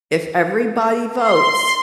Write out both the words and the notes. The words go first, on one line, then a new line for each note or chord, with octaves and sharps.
"If everybody votes"
C6